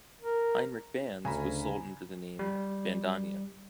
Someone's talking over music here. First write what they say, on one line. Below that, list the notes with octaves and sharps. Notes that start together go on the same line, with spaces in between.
Heinrich Band's was sold under the name "Bandonion".
A#4
D2 C#3 G#5 A#5 B5
G3